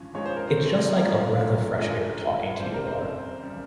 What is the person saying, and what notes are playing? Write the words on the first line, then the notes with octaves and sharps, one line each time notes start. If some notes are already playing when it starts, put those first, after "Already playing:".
It's just like a breath of fresh air talking to you, Laura.
Already playing: G#1 G2 F3 C#4
G#1 G2 F3 G#3 C#5
C5
A#4
C4 C5
G#1 G2 F3 G#3 A#3 A#4
G#1 G2 F3 G#3
D#2 C#3 G3 C5
A#4
C4 C5
C#3 G3